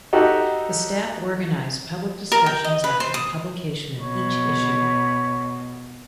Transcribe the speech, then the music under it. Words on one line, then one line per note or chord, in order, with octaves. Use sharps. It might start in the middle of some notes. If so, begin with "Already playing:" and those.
The staff organized public discussions after the publication of each issue.
D#4 F#4 G4 A4
A#4
G5
D#5
B4
C5
D#6
B2 C#5